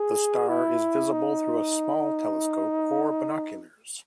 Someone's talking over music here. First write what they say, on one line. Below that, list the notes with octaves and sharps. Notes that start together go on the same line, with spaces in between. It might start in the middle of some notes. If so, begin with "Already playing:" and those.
The star is visible through a small telescope or binoculars.
Already playing: G#4
E4
D#4